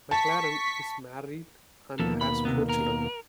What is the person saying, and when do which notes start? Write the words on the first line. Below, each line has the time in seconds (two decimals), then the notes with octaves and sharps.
McLaren is married and has four children.
0.11 A5 C#6 B6
2.00 D#2 B2 F3 A#3 A4
2.21 B5
2.45 C3 B3
2.69 A#4